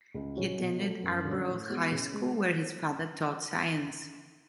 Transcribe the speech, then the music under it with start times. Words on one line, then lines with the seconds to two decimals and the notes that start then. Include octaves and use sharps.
He attended Arbroath High School, where his father taught science.
0.14 C#2
0.36 C#3 F#3 C#4 F#4
0.59 B2
0.81 F#3 A3
1.03 F#2
1.25 D3 F#3 C#4
1.48 A2
1.69 G#3 B3 F#4
1.92 C#3
2.13 G#3